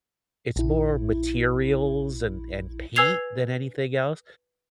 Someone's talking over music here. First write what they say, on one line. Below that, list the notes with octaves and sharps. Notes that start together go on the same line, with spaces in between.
it's more materials and and paint than anything else
A#1 E4
B4 G#5 E6 G#6 C7 F7